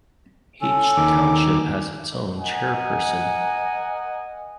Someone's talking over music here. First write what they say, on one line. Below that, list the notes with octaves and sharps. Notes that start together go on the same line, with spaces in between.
Each township has its own chairperson.
C#4 A4
D#2 D#3 D6
A#4 D#5 F#5 G#5